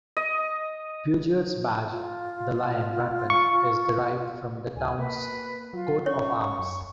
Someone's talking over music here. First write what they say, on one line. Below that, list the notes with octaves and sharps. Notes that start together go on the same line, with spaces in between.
Peugeot's badge, the lion rampant, is derived from the town's coat-of-arms.
D#5
F4
C#6
D2 G#5
A#3 B4
F#3 F4
C#4 C#5 C#6
F#2